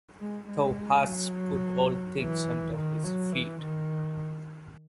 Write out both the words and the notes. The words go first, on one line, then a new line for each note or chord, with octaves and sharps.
Thou hast put all things under his feet.
G#3
G#3
F#3
E3
D#3
F#3
E3
D#3